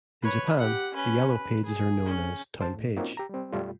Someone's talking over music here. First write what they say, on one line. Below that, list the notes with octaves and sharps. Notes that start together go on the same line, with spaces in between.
In Japan, the yellow pages are known as "Town Page".
B4 C#5
G4 F#5
C#4 B4
B4
G#4
C#4
C5 A5
A2
A#3 C4 C#4 D#4 F4 F#4
G4 A#5
G3 C4
F#2 B2 G3 A3 F4